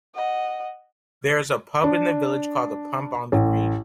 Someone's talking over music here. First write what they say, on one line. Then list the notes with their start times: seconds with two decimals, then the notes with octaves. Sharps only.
There is a pub in the village called the "Pump on the Green".
0.15 D#5 F#5
1.84 D4
3.32 A1